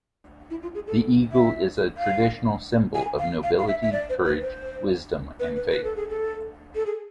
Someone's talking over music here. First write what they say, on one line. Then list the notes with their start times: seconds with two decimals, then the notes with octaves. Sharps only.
The eagle is a traditional symbol of nobility, courage, wisdom, and faith.
0.50 E4
0.63 F4
0.75 G#4
0.87 A4
1.32 E5
1.98 F5
2.95 G#5
3.19 F5
3.43 F5
3.58 F5
3.68 E5
3.83 E5
3.92 D5
4.10 C5
4.25 B4
4.42 C5
5.40 B4
5.56 B4
5.71 B4
5.84 A4
5.96 G#4
6.09 A4
6.75 A4
6.86 G#4